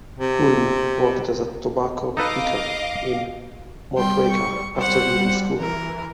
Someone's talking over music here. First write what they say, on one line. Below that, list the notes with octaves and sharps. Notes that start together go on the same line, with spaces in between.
Hulme worked as a tobacco picker in Motueka after leaving school.
C3
D#4 A4 B4 D#5 F5 D6
G3 G5 C6
C#6
G3 C5 F#5
E3 A#4